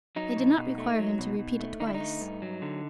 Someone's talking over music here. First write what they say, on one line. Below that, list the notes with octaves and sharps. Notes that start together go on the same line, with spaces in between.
They did not require him to repeat it twice.
F#3 D#4
B2
B2
A3
F#3
B2
B2
A3
D3 D#4
E4
D#4
A3
G2
F#3
D3